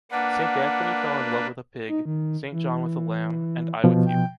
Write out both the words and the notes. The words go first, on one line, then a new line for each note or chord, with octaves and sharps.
Saint Anthony fell in love with a pig, Saint John with a lamb, and I with you.
A#3 D4 B4 F#5
D#4
D#3
E3
B2 F3
G5